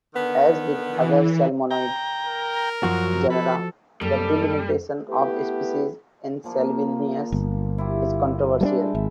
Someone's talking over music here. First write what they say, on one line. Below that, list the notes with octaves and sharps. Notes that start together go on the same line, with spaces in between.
As with other salmonid genera, the delimitation of species in "Salvelinus" is controversial.
D3 D#3 B3
E3
G5 A#5
A#4
F#2 F3 F#4
A4 B4
F#2 G3 A#3 A4
A3 B3 E4 G4 B4
A#2 F3 A#3
G1
E4 F4 G4
G3 G#3 A#3 D4 G5 A5
G#1 E5